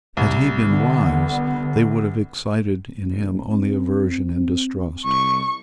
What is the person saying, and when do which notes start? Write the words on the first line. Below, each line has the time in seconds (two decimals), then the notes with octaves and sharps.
Had he been wise, they would have excited in him only aversion and distrust.
0.17 C2
0.62 D3 B3
3.09 F#1
3.50 C4
5.05 C2 C#6